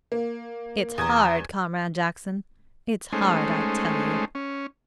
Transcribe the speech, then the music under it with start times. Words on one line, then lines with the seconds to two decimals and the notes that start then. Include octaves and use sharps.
It's hard, Comrade Jackson, it's hard, I tell you.'
0.12 A#3
0.98 E2 A#5 D#6 G#6
3.13 G#3 A3 C#4 D#4 C5
4.35 C#4